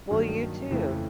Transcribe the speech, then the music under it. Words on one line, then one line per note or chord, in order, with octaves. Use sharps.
Well, you too.
G2 D#3 F#3 A#3
F2 C#3 E3 A3